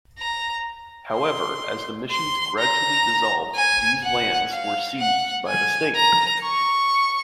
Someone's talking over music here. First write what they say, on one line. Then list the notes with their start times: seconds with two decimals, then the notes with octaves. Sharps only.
However, as the Mission gradually dissolved, these lands were seized by the state.
0.19 A#5
1.15 C6
2.11 C6
2.59 A#5
3.55 G#5
4.04 F#5
4.52 F5
4.99 F#5
5.47 G#5
5.95 A#5
6.43 C#6